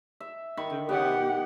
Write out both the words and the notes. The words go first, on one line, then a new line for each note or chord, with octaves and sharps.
Do, um
E5
D#3 B5 C#6
B3 G4 F#5